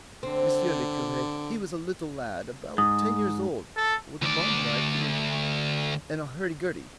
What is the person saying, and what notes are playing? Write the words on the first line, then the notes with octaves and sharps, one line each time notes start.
Monsieur le Cure, he was a little lad, about ten years old, with a marmot, I think, and a hurdy-gurdy.
D3 C4
G#2 D#6
A4
D2 D5